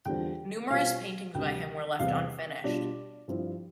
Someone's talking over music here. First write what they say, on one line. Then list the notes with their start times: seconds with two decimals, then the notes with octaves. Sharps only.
Numerous paintings by him were left unfinished.
0.05 E2 D3 G3 C4 F4 G5
0.70 B2 G3 C4 F4 F5
1.34 D2 C3 G3 G5
1.99 E2 C3 G3 C4 F5
2.64 B2 G3 D4 F4 D5
3.28 G2 F3 C4 E4